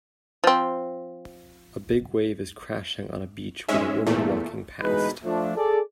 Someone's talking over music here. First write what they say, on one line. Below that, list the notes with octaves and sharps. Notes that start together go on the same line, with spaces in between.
A big wave is crashing on a beach with a woman walking past.
F3 C4
G#2 G#3 C#4 E5
E2 A#2 A3
D2 B2 E3 G#3 D#4 B4
F3 A3 D4
G#4 A4 D5